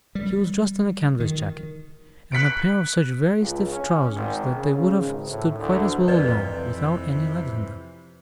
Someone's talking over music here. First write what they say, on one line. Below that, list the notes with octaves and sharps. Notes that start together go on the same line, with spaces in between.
He was dressed in a canvas jacket, and a pair of such very stiff trousers that they would have stood quite as well alone, without any legs in them.
G3
D#3
F#6 B6 C#7 D7
C#2
C#4
G#1
C#3
G#1
A2
D2
F2 C3 E3 B4 D5 D#5